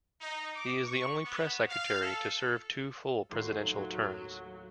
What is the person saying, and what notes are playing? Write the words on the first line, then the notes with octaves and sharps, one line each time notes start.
He is the only press secretary to serve two full presidential terms.
D#4
D6
C#6
B3
F5
A4
D#2 A2 F#3 C6